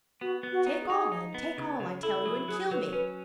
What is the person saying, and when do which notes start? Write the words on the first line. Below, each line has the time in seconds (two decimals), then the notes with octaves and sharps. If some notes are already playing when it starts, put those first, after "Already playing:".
"Take all, then--take all, I tell you, and kill me!"
0.21 B3 F#4
0.43 B3
0.52 F#4
0.67 D#4
0.81 G#4
0.90 D#4
1.12 D#4
1.34 B3
1.58 C#3
1.80 C#3
2.02 E4 A4
2.20 A4
2.25 F#3 G#4
2.48 F#3 G#4
2.71 F#3 B4
2.93 C#4 B4